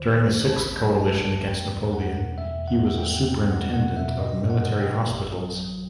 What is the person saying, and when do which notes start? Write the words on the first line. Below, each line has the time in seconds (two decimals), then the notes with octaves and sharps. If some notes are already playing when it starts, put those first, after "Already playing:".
During the Sixth Coalition against Napoleon, he was a superintendent of military hospitals.
Already playing: D#2 D#3 C5
0.11 D#3
0.33 D#2
0.48 A5
0.56 A1 B5
0.78 F#3
1.02 A3 A5
1.24 A3
1.47 E2 G5
1.70 E2
1.92 E2 F#5
2.15 B2
2.38 E2 E5
2.61 E2
2.68 F#5
2.83 E2
2.98 G5
3.06 E2
3.29 E2 G5
3.51 B2 F#5
3.74 B2 F#5
3.96 B2 E5
4.20 F#2 D#5
4.42 F#2
4.50 F#5
4.64 F#2
4.81 G5
4.87 E3
5.10 A1
5.33 F#3
5.55 F#3